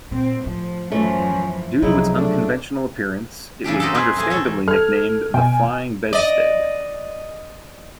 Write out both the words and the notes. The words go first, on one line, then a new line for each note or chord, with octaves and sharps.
Due to its unconventional appearance, it was understandably nicknamed the Flying Bedstead.
A#2 C4
A2 F3
F#2 E3 F3 A3 C#4
C2 F2 C#3 F#3 D#4 E4
A3 D4
C#3 E3 D4 G4
C4 D#4 F#4 G4 A4
C4 F4 G#4 B4
A2 A3 G#4
B2 A4 C#5
E3
A4 F6 G#6
B2 G5 G#5
D5 D#5